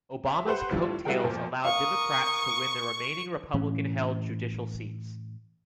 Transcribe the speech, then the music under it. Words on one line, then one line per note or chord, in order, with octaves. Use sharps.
Obama's coattails allowed Democrats to win the remaining Republican held judicial seats.
E5
G4 B4 C5 F#5
A2 G3 D4 F4
G3 E4 F#4 G#4 A#4 G5
F2 A#2 F3
A#4 F5 C#6 D#6
A2 E3 C#4